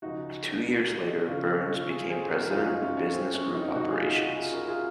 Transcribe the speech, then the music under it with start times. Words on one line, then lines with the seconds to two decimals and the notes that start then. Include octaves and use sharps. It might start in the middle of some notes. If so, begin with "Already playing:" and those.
Two years later, Burns became president of business group operations.
0.02 C#2 C#3 F3 D#4 F#4
1.26 D#2 C#3 F3 C#4 F4
1.43 C4
1.58 C#4
1.74 C#4 F4
1.89 F4 G#4
2.10 G#4 C5
2.30 F#4 A#4
2.50 F#2 D#3 F#3 F4 G#4
2.66 D#4 F#4
2.81 C#4 F4
2.97 C#4
3.14 C4
3.34 C#4
3.54 C4 D#4
3.75 C#2 C3 F#3 D#4 F#4
3.91 F4 G#4
4.06 D#4 F#4
4.21 D#4 F#4
4.37 F4 G#4
4.53 F#4 A#4
4.68 F4 G#4